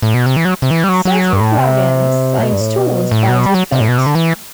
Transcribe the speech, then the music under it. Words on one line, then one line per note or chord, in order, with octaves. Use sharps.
Certain plug-ins are installed by default.
A2
B2
C3
E3
F#3
C3
E3
G3
F#3
F#3
G2
A2
C3
A2
B2
G2
A2
B2
A2
B2
G3
F#3
C3
A2
B2
C3
D3
E3